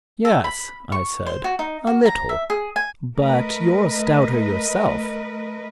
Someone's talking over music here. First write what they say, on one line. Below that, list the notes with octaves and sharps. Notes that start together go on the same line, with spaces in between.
"Yes," I said, "a little; but you're stouter yourself."
A4
B5
C#6
C5
F#4
D#4
F#4
A#5
E5
G#4
G#5
A3 A#4 B4 D#5